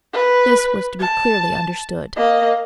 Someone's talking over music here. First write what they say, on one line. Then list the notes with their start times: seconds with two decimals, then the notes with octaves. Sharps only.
This was to be clearly understood.
0.13 B4
1.00 A5
2.16 A#3 D#5